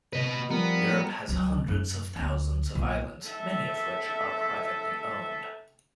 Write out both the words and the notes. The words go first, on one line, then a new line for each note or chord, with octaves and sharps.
Europe has hundreds of thousands of islands many of which are privately owned.
B4 D#5
F3 G3 B3 A#4
C#2 F#3
F#2
D2 B3
B1 A#2
A4 E5